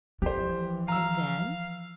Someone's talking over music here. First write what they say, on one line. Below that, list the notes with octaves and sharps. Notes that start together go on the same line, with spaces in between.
"And then?"
E3 F3 G4 C5
F5 A#5 E6